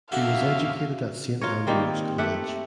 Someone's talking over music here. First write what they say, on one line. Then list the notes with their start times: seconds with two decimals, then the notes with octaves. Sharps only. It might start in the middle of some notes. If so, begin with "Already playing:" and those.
He was educated at Saint Ambrose College.
0.12 F2 D3 F#4 E5 F5
1.41 F4 A#4 C#5
1.67 D#3 G3 A#3 C4
2.18 A3 G4 E5 F#5